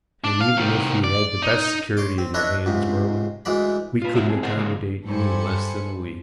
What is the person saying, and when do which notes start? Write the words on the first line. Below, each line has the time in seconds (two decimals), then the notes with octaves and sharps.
And even if you had the best security in your hands, Merwin, we couldn't accommodate you in less than a week.
0.24 D4
0.40 F5
0.57 C2 D#3
1.04 D5
1.42 D#4
1.97 C#5 C6 D6
2.18 C4
2.34 D4 E4 B4 C#5 D#5 E5
2.66 C#2 G#2 C3
3.45 D2 E3 G#3 D5 B5
4.02 F4 B4
4.14 A2 F#3 D4 F#4 E5
4.28 G3 C4 G#4
4.43 G#4 A#4 C5 D#5 F#5
4.56 C#3 G#3 A#3 F#4 G#4
5.06 G2 A4 C5 G#5 B5 C#7